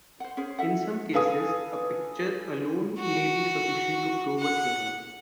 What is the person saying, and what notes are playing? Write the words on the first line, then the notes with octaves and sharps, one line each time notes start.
In some cases, a picture alone may be sufficient to prove a theorem.
C5 F#5
C#4 G#4 C5
A4 E5 F#5
A4 B4 F5 G#5 D#6
F#4
F#5